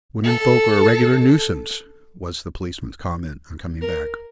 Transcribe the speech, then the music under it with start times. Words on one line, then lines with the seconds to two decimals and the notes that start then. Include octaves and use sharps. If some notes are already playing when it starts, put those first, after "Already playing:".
"Women folks are a regular nuisance," was the policeman's comment, on coming back.
0.24 A4
3.81 A#4